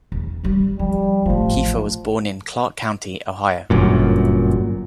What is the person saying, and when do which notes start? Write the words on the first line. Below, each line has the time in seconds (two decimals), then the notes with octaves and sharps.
Keifer was born in Clark County, Ohio.
0.12 E2
0.44 D#3 G3
0.79 F3 G3
1.26 A1 F3 A3
3.70 G1 F#2 A#2